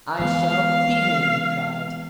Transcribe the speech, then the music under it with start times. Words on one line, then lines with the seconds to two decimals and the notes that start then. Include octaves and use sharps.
"I shall beat him!" he cried.
0.19 E3 G#3 B3 F5